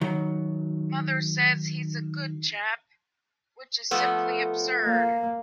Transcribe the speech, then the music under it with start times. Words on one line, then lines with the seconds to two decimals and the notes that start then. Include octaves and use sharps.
Mother says he's a good chap, which is simply absurd.
0.01 D#3 F#3
3.91 F3 A3 B3
4.84 A#3